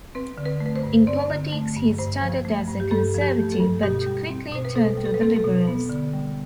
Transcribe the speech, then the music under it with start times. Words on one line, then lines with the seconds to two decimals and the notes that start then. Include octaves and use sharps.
In politics, he started as a Conservative, but quickly turned to the Liberals.
0.15 C4 B4
0.38 D3
0.46 B4
0.60 A3
0.66 B4
0.76 C5
0.83 G2
1.07 C4 D5
1.30 D3
1.52 A3
1.76 G2
1.98 G2 C5
2.22 F3
2.45 A3
2.68 G2
2.80 G4
2.91 G2 A4
3.14 F3
3.21 G4
3.37 A3
3.52 A4
3.60 G2
3.83 B2 G4
4.06 G3
4.30 C4
4.52 B2 C5
4.65 B4
4.76 B2 A4
4.98 G3
5.05 A4
5.14 B4
5.21 C4 A4
5.36 A4
5.44 B2
5.67 B3
5.89 D3
6.13 G3